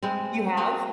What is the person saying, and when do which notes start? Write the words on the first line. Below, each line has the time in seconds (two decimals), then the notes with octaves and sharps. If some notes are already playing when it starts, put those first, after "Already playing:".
You have?
0.03 G#3 B3 C4
0.57 A#3 C4 F#4